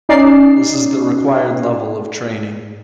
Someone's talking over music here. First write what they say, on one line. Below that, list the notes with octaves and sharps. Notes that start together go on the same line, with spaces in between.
This is the required level of training.
C#4 D#4 D5 C7